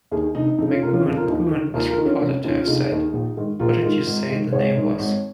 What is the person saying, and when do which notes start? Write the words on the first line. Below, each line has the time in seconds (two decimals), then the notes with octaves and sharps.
McGoohan was reported to have said What did you say the name was?
0.11 D#2 D#3 D#4 G#4
0.35 F1 D#4
0.47 D#4
0.58 F2 C#3 D#4
0.70 C#4 F4
0.82 F1 F4 A#4
0.93 C#4 F4
1.05 F2 C#3
1.17 F4 A#4
1.28 D#2 D#4
1.51 D#3
1.74 D#2 F4 A#4
1.89 F4 A#4
1.98 D#3
2.05 C#4 F4
2.21 F1 C#4
2.44 D#2 D#3 C#4 F4
2.60 F4
2.67 F1 D#4 G#4
2.91 D#2 D#3
3.13 A#1
3.37 G#2 D#3
3.59 A#1 F4 A#4
3.83 G#2 D#3
4.06 G#1
4.29 G#2 D#3
4.52 G#1 G#4 C#5
4.76 G#2 D#3
4.99 G#1